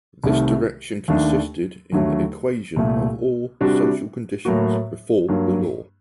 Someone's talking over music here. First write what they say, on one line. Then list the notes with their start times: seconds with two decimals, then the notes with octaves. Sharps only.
This direction consisted in the equation of all social conditions before the law.
0.24 C2 C3 D#3 A3
1.08 D#2 D#3 A3 D4
1.92 D#2 D3 F#3 A3
2.76 C2 A#2 A3
3.61 C3 G3 D4 F#4
4.45 A2 F#3 A#3 F#4
5.28 G2 F#3 A#3